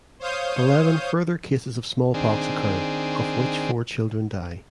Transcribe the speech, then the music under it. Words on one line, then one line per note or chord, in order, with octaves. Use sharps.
Eleven further cases of smallpox occur of which four children die.
C5 C#5 F5 D#6 G6
D#3 C4 D4 G#4